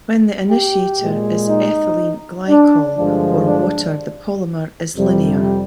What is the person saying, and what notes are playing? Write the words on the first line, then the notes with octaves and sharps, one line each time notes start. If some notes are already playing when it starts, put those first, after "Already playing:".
When the initiator is ethylene glycol or water the polymer is linear.
G4
A#2 G#3
D#4
D4
G2 D3 F3 G#3 D4
D4
F2 C3 G3